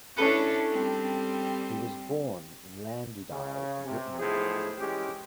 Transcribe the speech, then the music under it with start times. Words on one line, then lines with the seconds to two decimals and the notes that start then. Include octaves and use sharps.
He was born in Landudal, Brittany.
0.17 C#4 D4 E4 A4 B4 F#5
0.71 G3 C4
3.30 C#3
3.85 C3
4.19 B1 A2 F3 G#3 G#4 C5
4.78 E3 G#3 C#4 G4